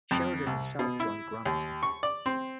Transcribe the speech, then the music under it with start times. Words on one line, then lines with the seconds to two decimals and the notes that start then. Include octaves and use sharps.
Sheridan himself joined Grant.
0.11 F2
0.47 C2
0.79 B2
1.00 E4
1.46 D#2
1.83 C#6
2.03 D5
2.26 C4